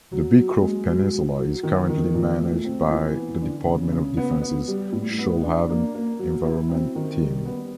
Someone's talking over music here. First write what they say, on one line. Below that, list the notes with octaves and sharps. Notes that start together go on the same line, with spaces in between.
The Beecroft Peninsula is currently managed by the Department of Defence's Shoalhaven Environment Team.
F#3
F#3
G#3
B2
F#3
F#3
D#3
D#3
A#2
A3
C4
E3
B3
D3
C#3
C#3
B3
B3
G3
A2
B3
D4
A#3
A#3
F#3
E4
C4
D#3
G3
B3